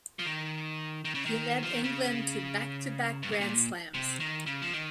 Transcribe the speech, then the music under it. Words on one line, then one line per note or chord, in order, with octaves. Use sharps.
He led England to back-to-back Grand Slams.
F3
D#3
D#3
C#3
D#3
F3
D#3
C#3
G2
G#2
A#2
C3
D#3
C#3
F3
D#3